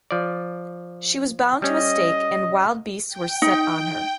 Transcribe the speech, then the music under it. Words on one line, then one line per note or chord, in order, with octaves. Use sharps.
She was bound to a stake and wild beasts were set on her.
F3 D5
G3 C#4 D#5
G5
D#4